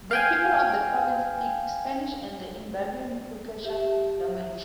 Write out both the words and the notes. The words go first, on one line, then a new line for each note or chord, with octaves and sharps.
The people of the province speak Spanish and the Imbaburan Quechua language.
F5 G5 G#5
G4 E5